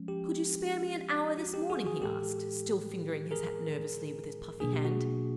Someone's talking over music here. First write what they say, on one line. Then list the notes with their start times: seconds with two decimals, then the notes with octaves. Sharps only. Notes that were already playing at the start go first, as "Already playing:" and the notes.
'Could you spare me an hour this morning?' he asked, still fingering his hat nervously with his puffy hand.
Already playing: F3 G#3 C#4
0.08 G4
1.38 F#4
1.54 G4
1.70 F#4 G#4
1.85 F#4 G#4
2.02 A2 E3 G#3 G4 A4
3.31 G#4 A#4
4.60 B2 F#3 A#3 D4 G#4
4.73 G4
4.85 F#4 G#4